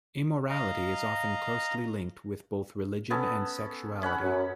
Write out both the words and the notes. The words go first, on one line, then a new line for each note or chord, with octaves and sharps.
Immorality is often closely linked with both religion and sexuality.
D#5 F5 A#5
B3 C#4 A4
C#4 F#5 B5
F#2